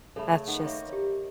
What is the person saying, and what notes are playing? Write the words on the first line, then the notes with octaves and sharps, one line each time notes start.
that's just
C#3 A3 A4 B5
D#3 B3 A4 F#5
A#3 C#5 E5
G4 C#5